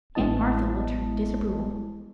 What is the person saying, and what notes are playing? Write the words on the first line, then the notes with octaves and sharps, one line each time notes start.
Aunt Martha looked her disapproval.
A1 G#3 B3 E4 D#5 A5